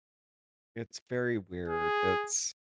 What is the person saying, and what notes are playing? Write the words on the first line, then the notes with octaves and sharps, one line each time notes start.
it's very weird, it's
G#4